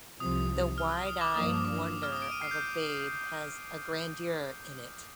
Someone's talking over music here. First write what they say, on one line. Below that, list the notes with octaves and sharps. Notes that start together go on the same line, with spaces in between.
The wide-eyed wonder of a babe has a grandeur in it.
C2 C3 F3 D#6
F6
D#6
D6
G2 F3 A#3 D4 D#6
D6
D#6
F6
D#6
D7
D#7
C7
G6